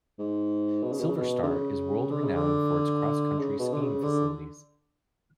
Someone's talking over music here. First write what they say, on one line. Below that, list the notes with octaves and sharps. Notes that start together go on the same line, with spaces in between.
SilverStar is world-renowned for its Cross-Country Skiing facilities.
G#2
B2
C#3
B2
C#3
B2
D3
C#3
D3
C#3
D3
C#3
B2
D3
C#3
D3